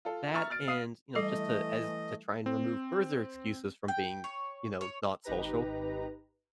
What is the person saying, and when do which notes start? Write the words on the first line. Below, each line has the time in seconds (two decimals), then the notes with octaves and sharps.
That and, you know, just to as to try and remove further excuses from being, you know, not social,
0.05 F4 A4
0.34 E5 A#5 C#6 F6 A6
0.50 F6 A6 D7
0.67 F5 D#6 F6 C7 D#7
1.15 E3 G3 A3 A4 D#5
2.46 C4
3.88 G5
4.24 C#5
4.81 C#5
5.24 G#1 D#4 G4 B4 A#5